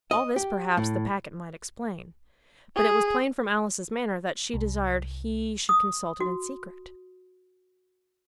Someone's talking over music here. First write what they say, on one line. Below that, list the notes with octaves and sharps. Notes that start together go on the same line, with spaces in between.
All this perhaps the packet might explain; but it was plain from Alice's manner that she desired he should consult it in secret.
D#5
G4
A2
G#4
C2
D#6
F#4